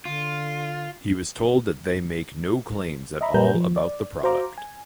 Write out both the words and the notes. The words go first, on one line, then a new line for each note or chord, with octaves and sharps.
He was told that they make no claims at all about the product.
D3 F4
D#5 E5 A#5 B5
A#2 G3 A#4 B4 A#5 G6
F3
D5
F#4 C5 F5 A#5 D6
G#5